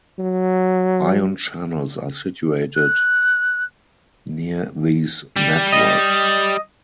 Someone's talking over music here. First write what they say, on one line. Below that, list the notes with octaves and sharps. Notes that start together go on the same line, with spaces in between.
Ion channels are situated near these networks.
F#3
F#6
G3
D#5